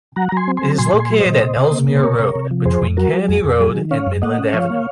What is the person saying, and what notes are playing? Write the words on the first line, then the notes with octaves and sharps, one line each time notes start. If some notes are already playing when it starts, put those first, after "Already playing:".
It is located at Ellesmere Road, between Kennedy Road and Midland Avenue.
F#3 F#5 A#5
A#5
F#3 G#5 C6
C4
G#5 C6
F#3
A#2 G#5 C6
A#2
G#5 C6
F#3
C5 D#5
A#2
C3
C3
A#3
C3
C5
C3 A#4 C#5
C3
C3
F3
F2 G#4 C5
F2
F#3 F#4 A#4
F#3
F2 G#4
F2
F#3 G#4
D#3
C#4 C#5 F5
F#2
A#3 D#5 F#5
C#4
F3 C#5 F5
A#3